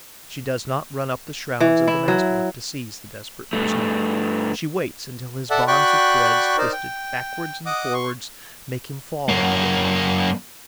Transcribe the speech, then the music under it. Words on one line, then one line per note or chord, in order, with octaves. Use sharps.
She does not run up the shrouds of the mast-work to seize the desperate prisoner; she waits until his bonds of threads, twisted backwards and forwards, make him fall on the web.
E3
E4
F#3
G2 A3
A4 D5 E5 F#5
F#4 D5 G5 B5 C#6 F#6
D#4 A#4 C5 D5
G5
D#5 F#5 D6 D#6
C6 C#6
F#2 A#3